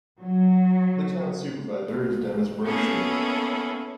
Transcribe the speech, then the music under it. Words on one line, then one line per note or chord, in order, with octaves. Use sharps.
The Town Supervisor is Dennis Brochey.
F#3
A#3 B3 C#4 E4 G#4 A4